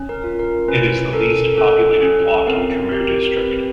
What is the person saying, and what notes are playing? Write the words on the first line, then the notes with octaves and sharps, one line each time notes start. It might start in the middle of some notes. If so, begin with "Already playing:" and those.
It is the least populated block in Kaimur district.
Already playing: C#4
A#4
F4
A#4
C#4 B4
A4 A#4
C#4 A4
C#4
C4 A#4
G4 A#4
C4 B4